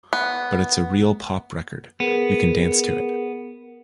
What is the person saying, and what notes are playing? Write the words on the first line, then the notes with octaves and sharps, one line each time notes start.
But it's a real pop record-you can dance to it.
B3
B3 G#4 A#4